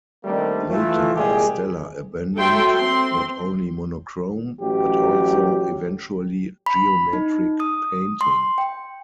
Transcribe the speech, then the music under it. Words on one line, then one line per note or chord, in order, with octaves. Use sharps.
Later, Stella abandoned not only monochrome, but also eventually geometric painting.
D#3 G3 A3 A#3 C4 D4
E3 A3 F4
C2 A#2 G#3 G4 G#4
F#3 A4 E5 G5 C6
C4 C6
A1 F#3 G4
B5
D#4
D#6
C6
G5